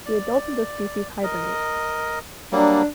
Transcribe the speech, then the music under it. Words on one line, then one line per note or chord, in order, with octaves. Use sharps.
The adults of the species hibernate.
D5
A#4 D#5
F#3 G3 A#3 D4